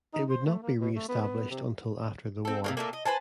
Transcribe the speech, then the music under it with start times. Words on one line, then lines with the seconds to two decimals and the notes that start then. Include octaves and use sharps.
It would not be reestablished until after the war.
0.14 D#4
0.30 C5
0.46 A3
0.63 A#3
0.80 B2
0.96 A3
1.09 B3
1.22 B3
1.51 C3
2.45 C4 A4
2.64 C3 F#3 A#3
2.77 A#2 A3 A#3
2.93 D#5
3.06 B4 C5 G#5 A5